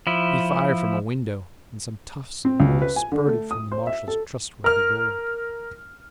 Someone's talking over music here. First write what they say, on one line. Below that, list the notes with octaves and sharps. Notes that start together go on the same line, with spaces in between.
He fired from a window, and some tufts of wool spurted from the marshal's trustworthy bulwark.
F3 E4
C4
C#2
B4
G#5
D3
A3
D#6
C5
E5
A4
A#4 F6